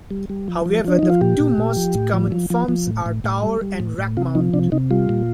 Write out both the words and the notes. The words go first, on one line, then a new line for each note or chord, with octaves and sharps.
However, the two most common forms are tower and rack-mount.
G3
G3
F3
F3
F3 D4
F3 D#4
F4
A#2 G4
A#2
A#2
F3
A2
F3
F3
F3
F3
A2
A2
A2
G3
G3
A2
A2
C3 F4
F3 D#4
C3 D4
C3 D#4
G3 F4
A#2